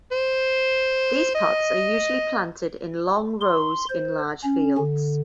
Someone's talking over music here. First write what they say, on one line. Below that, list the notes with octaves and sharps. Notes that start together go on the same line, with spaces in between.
These pots are usually planted in long rows in large fields.
C5
D#5
C6
C5
C#4
D3